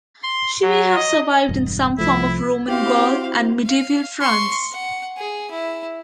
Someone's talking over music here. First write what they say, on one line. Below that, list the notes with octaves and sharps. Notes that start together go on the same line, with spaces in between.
She may have survived in some form in Roman Gaul and medieval France.
C6
F#3
D#5
E1 G2
C2 F3 A3 E4
C4 E4 F#4 G4 C5 F5
F5
C6 C#6
F#5
G#4
E4